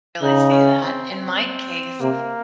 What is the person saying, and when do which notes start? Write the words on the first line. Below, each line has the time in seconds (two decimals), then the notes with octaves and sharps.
Really see that. In my case,
0.22 C#3 D#4
0.52 C#4
0.82 C4
1.11 C4
2.01 C3 A#3